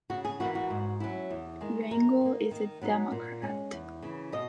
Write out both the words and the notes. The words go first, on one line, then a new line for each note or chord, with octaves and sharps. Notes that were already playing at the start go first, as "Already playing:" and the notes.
Rangel is a Democrat.
C#3 F#4
G#4
E3 A#3 E4 F#4
F#4
G#2
F#3 C#4 E4
E2
D#3 G#3
F#2 A#4
D#3 A#3
D#3
F#3 B3 D#4
A#2
G#3 C#4
E2
C#3 E3
B2 D#5